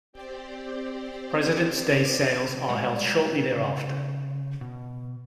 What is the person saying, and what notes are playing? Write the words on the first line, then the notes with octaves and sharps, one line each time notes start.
Presidents' Day sales are held shortly thereafter.
C4 G4 C5 D5
G3 G#3 F#4 G4 C#5
C#3
B2